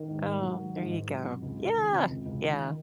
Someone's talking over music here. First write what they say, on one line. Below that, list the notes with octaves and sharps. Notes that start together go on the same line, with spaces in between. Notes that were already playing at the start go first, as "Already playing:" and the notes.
Oh, there you go yeah, yeah.
Already playing: D#3
G#2
G#2
F#3
D#3
G#2
G#2
F#3
C3
C#2
C#2
D#3
C3
C#2
C#2
D#3